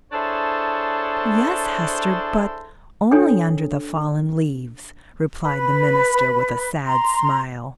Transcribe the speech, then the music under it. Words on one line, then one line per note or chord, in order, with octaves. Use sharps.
"Yes, Hester; but only under the fallen leaves!" replied the minister, with a sad smile.
D4 E4 G#4 A4 C5 C#5
D4 A4 C#5 G5 G#5 D#6
B4 B5
A#5 C6